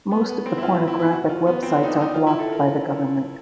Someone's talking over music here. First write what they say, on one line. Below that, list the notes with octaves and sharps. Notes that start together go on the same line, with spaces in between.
Most of the pornographic websites are blocked by the government.
B3
B3
C4
E4
F4
F4
E4
E4
F#4
F4
B3
C4
C#4
D#4
D4
D#4
F4
E4
A4
A#4